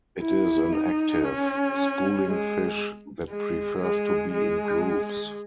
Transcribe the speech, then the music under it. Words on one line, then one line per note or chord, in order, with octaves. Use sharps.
It is an active, schooling fish that prefers to be in groups.
E4
D#4
C#4
G#3
G#3
G#3
G#3